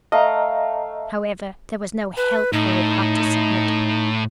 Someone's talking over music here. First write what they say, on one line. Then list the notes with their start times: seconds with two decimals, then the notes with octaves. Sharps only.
However, there was no help for it but to submit.
0.12 A3 D#5 F5 A#5
2.17 B4
2.53 A2 D#4